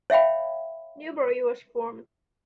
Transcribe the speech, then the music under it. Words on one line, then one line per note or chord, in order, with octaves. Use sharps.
Newbury was formed.
C#5 E5 F5 G5 B5